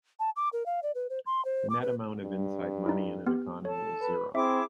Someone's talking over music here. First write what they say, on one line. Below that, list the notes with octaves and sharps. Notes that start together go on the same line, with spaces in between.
The net amount of inside money in an economy is zero.
A5
D6
A#4
F5
D5
B4
C5
C6
C5
D6
B4
G2
D#4 E4
B3 G4
A4 C#5 A5
B4
C4 E4 G#4 E5 D6